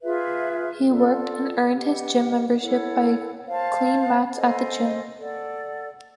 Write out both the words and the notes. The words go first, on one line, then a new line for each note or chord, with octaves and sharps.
He worked and earned his gym membership by clean mats at the gym.
F4 G#4 B4 E5
F4 A4 D5
G4 B4 D#5 F#5
E4 A4 C#5 F#5
C5 F5 A5
A4 C5 D#5 G#5
A4 D5 F#5